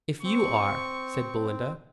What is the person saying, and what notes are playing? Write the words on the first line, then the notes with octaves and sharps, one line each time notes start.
"If YOU are," said Belinda.
C4 C#6